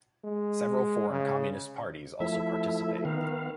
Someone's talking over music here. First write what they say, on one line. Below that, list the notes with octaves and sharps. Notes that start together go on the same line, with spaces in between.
Several foreign communist parties also participate.
G#3
C#3
F3 A3 E4 E5
D#3 B3 F5